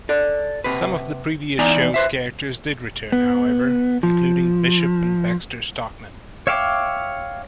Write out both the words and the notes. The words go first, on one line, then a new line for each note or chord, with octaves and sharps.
Some of the previous shows characters did return, however, including Bishop and Baxter Stockman.
A4 D5
C3 B4
E3 B3 D#4 D5 G#5 A#5
B4 C5 E5
B3
F3
C#5 E5 F5 G5 D6